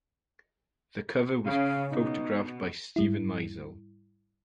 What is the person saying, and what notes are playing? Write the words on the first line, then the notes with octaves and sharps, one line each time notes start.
The cover was photographed by Steven Meisel.
C#3 F5
B2 D#4
G#2 G3 E4